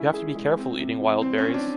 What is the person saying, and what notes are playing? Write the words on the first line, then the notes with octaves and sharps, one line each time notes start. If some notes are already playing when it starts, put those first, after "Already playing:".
You have to be careful eating wild berries.
Already playing: G#3 C#4 E4
G#4
G#3
C4
C3
E3
G3 C4
C#4
C4
D4